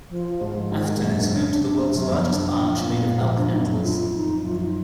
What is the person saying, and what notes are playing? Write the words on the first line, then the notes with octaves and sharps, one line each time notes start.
Afton is home to the world's largest arch made of elk antlers.
F3
G#2
G#2 D#3
D#3
G#2
F#2
D4
D4
D4
F#2
F2 B3
F#2 D4
A#2
A#2
A#2 B3
G#2 A#3
F2
F2 D4
F#2 D#4
B3
D4
F2 F4
D#4
F#2 F4
D#4